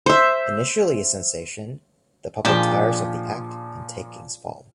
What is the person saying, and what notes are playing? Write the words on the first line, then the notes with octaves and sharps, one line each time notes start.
Initially a sensation, the public tires of the act and takings fall.
C5 E5
A#2 D#3 F3 D4 F4 G4 G#4